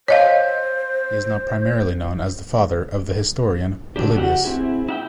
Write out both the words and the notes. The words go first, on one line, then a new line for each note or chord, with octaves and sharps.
He is now primarily known as the father of the historian Polybius.
C5 C#5 D#5 F5
C#3 E3 F#3 D4 G4
F#4 G4 F5 F#5
C4 E4 G#4
E4 F#5 G5